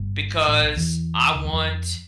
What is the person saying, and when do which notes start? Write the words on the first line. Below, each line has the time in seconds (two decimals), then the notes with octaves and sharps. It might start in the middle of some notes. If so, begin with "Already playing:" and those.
because I want"
Already playing: G1 G2
0.48 A1 A2
0.62 B1 B2
0.76 E2 E3
1.34 D2 D3
1.44 E2 E3
1.53 F2 F3